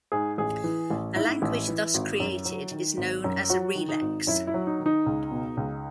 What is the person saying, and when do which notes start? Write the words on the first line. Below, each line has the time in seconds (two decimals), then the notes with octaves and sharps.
A language thus created is known as a "relex".
0.12 G#2 G#4
0.38 A1 G#4
0.64 E3
0.90 A1
1.16 G#2 E4
1.42 A1
1.68 E3
1.94 G#1
2.20 F#2
2.45 F#3
2.71 D#3
2.97 G#1
3.24 F#2
3.50 F#3 F#4
3.75 D#3
3.89 D#4
4.02 G#1
4.27 F#2 E4
4.47 E4
4.54 F#3
4.67 D#4
4.80 D#3
4.86 D#4
5.06 C#2
5.31 B2
5.57 C#2